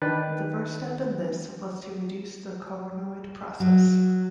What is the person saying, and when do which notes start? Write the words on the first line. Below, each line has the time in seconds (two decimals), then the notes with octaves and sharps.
The first step in this was to reduce the coronoid process.
0.02 D#3 D4 B4 G5 F#6 A6
3.60 F#3